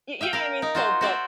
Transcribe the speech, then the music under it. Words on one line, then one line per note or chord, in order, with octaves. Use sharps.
Y you know what I mean? So but
E5 F5 G5
A#4 F5
D#4
F4 F#4 C5
F#4 C5 D5 E5